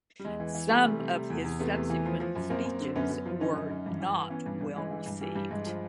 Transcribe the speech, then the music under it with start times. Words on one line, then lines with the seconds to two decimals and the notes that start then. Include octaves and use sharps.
Some of his subsequent speeches were not well received.
0.19 G3
0.25 E2 G#3
0.40 E3
0.54 E3
0.70 E3 G3 A3
0.85 C3
1.00 C3
1.15 C3
1.30 E2
1.44 E2
1.59 C3 A3 B3
1.75 E2
1.90 E3
2.05 F3
2.20 F3
2.35 F#2
2.50 F#2 A#3 C4
2.65 F#2
2.80 D3 C4
2.95 F#2 B3 C#4
3.11 F#2
3.26 F3
3.40 D3 C#4 D#4
3.56 F#2
3.70 F#2
3.86 G2
4.01 E3
4.16 E3
4.30 E3 B3 C#4
4.46 G2
4.61 G2
4.76 E3 G#3
4.91 E3
5.06 G2
5.21 E3 G3
5.35 G2 G3
5.51 G2 G#3
5.66 F3